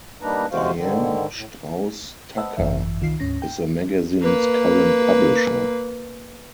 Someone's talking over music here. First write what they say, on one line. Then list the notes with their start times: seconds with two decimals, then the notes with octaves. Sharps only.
Diane Straus Tucker is the magazine's current publisher.
0.22 G3 A#3 D4 D#4 B4 A#5
0.52 D#2 C3 G#3 F#4 C5 F5
0.75 G#2 D3 D#3
1.34 A2
2.37 B4 C5 D#5 F#5 A5 E6
2.57 G#1 F#2 E3 E5
3.01 C2 D#3 F4 C7
3.20 D2 G#2 C#4 A#6
3.42 G5
4.22 A#3 B4